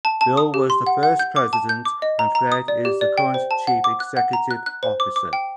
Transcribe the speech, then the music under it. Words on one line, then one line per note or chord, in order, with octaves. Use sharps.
Bill was the first president and Fred is the current chief executive officer.
A5
A5
D#6
G4
C6
F#5
F#5
G6
D6
A5
G6
D6
D#5
A#5
A#5
D#6
D5
G4
D5
G5
C5
A5
F#5
D6
F#6
F#5
A#5
F#6
F#6
C5
D6
D6
G5